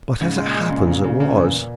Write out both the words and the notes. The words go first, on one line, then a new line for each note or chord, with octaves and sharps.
But as it happens, it was.
G#2 C#3
G#3
A#2
G#3
C#3
C#3
C#3
C#3
E2